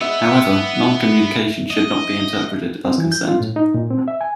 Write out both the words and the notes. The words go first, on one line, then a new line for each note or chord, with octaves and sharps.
However, non-communication should not be interpreted as consent.
B3 E5
D#5
C4
E3
G6
F4
A2
D#4
A#2
C4
E5
G#5